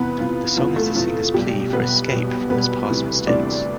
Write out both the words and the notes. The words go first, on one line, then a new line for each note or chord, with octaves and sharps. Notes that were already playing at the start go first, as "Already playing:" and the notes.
The song is the singer's plea for "escape" from his past mistakes.
Already playing: E2 C3 E3 B3 B4
E2 C3 E3 F4
E2 C3 E3 F4
A3 A4
E2 C3 E3 F4
B1 B2 G3 G4
B1 B2 G3 B3 B4
B1 B2 G3
B1 B2 G3 B3 B4
D2 C3 E3 G3
D2 C3 E3 G3 D4 D5